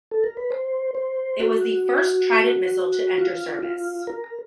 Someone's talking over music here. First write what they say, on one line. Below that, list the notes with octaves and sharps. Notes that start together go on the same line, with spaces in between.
It was the first Trident missile to enter service.
A4
A#4
B4
C5
C5
F#4
F4
F4
A#4